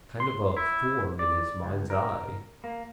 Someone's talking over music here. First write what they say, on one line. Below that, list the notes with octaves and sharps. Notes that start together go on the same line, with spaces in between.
Kind of a form in his mind's eye.
C6
E4
D5
C#2
A#4
A#3